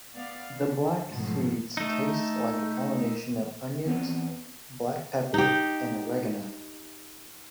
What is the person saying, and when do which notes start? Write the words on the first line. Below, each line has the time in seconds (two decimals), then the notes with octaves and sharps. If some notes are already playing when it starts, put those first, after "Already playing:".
The black seeds taste like a combination of onions, black pepper and oregano.
0.15 B3 D5 F5
0.57 D3
1.13 G#2 B2 D#3 F3 F#3 A3
1.77 A3 D#4
3.86 E2 B3 C4
5.34 D#4 G4